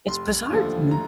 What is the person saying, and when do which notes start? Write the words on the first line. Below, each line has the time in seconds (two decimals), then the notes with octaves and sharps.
It's bizarre to me.
0.08 F1 C6
0.50 D#2 D3 F3 A3
0.91 A#5